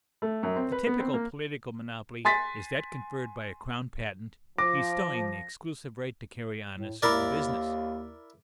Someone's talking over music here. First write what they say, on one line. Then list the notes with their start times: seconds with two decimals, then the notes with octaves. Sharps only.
The typical political monopoly is that conferred by a crown patent bestowing the exclusive right to carry on a certain business.
0.22 A3
0.43 F#2
0.56 C4
0.72 B4
0.87 B3
1.00 C4
1.14 A#3
2.25 G#5 C6 A6 B6
4.58 F3 D6 A#6
6.76 A2
7.02 D#2 E4 A#4 D5